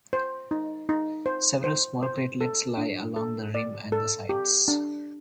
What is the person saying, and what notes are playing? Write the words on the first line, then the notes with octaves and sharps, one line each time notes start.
Several small craterlets lie along the rim and the sides.
C5
D#4
D#4
C5
C5
C5
A4
D4
A4
D5
A4
G4
D4